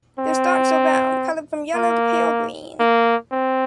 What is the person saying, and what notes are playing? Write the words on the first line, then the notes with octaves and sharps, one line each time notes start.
Their stalks are round, colored from yellow to pale green.
C4
A#3
A#3
C4